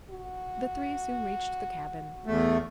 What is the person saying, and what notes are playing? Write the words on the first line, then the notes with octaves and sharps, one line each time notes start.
The three soon reached the cabin.
F#4
E2 A3